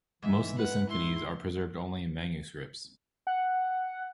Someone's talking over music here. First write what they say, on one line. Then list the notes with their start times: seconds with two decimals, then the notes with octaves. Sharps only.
Most of the symphonies are preserved only in manuscripts.
0.23 G#2 E3 E5
0.58 B4 F#5
0.89 E4 C6
3.27 F#5